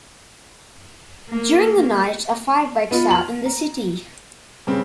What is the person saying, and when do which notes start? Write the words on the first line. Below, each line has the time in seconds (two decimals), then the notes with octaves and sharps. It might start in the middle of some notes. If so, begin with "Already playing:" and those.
During the night, a fire breaks out in the city.
1.29 A#3
2.91 B3 D#4 F4
3.11 F6 F#7
3.45 A#5
4.67 G2 C#3 C4